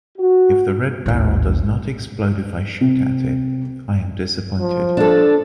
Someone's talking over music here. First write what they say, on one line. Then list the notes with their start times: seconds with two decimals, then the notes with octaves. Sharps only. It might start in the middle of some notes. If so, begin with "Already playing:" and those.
If the red barrel does not explode, if I shoot at it, I am disappointed.
0.18 F#4
1.06 A1 D#2
2.81 C3
4.60 F3
4.97 D4 A4